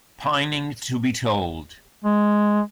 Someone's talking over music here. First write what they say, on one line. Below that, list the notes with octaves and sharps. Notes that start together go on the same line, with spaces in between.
Pining to be told.
G#3